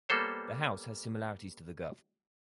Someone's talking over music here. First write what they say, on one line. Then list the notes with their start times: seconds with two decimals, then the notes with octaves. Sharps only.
The house has similarities to the Gov.
0.09 G3 A#3 B3 A4 C5 C#5